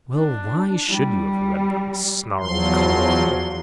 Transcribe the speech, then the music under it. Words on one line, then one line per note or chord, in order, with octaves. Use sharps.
"Well, why should you have read them?" snarled Carlyle.
D4
G3
E2 F3 F#3 C6